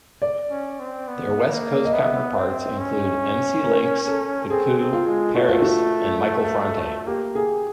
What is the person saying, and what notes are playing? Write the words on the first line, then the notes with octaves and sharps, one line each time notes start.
Their West Coast counterparts include Emcee Lynx, The Coup, Paris, and Michael Franti.
D5
C#4
C4
B3
A#3
D#5
B3 E5
C4
C#4
A#4
A4
C4 G#4
C4
F4
G#3
A3 F#4
F4
F#4
A#3 G4
G#4